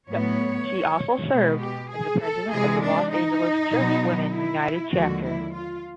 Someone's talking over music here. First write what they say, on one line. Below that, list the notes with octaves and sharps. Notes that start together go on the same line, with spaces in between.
She also served as the president of the Los Angeles Church Women United chapter.
A2 F#3 B3 C#5
B2 G#3 B3
G4
G#4
A4
C3 E3 G#3 G#4
D4
D#4
B2 F#3 B3
E4
D#2 D3 F3 G#3 F#4
E4
F4